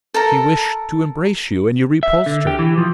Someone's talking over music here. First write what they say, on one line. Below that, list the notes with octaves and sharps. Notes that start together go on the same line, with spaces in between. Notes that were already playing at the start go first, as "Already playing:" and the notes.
"She wished to embrace you, and you repulsed her."
A4 A#4 A#5
E5
D3
G4
E3
F3